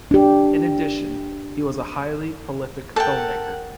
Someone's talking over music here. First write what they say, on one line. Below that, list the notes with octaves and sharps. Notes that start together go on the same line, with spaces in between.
In addition, he was a highly prolific filmmaker.
D4 G4
A4 A#4 F#5 G5 A5